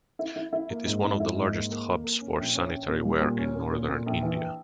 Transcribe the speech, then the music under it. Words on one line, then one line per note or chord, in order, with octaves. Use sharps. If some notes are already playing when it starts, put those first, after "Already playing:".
It is one of the largest hubs for sanitary ware in Northern India.
E4
E4
E4
A#3
G#2
G#2
E4
G#2
A#3
A#3
A#3
A#3
C#4
A#1
C#4
C#4
A#2
G3
A#2
C#4
A#2
A#2
A#2
A#1
E3